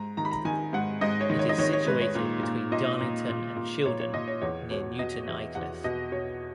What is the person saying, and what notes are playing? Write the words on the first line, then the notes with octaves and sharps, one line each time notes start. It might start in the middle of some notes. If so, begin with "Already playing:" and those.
It is situated between Darlington and Shildon, near Newton Aycliffe.
Already playing: G#2 A#5
D#3 A#5
B5
A#5
D#3 G#5
G#2 F#5
G#2 D#5
C#5
D#3
C#5
D#5
D#3 C#5
C#5
G#2 B4
C#5
A#2
A#2
A#2 D#5
A#2
A#2
A#2
A#2 C#5
C#5
A#2 D#5
C#5
E2 C#5
B2 C#5
B2 D#5
E2 E5
E2 F#5
B2 D#5
B2 C#5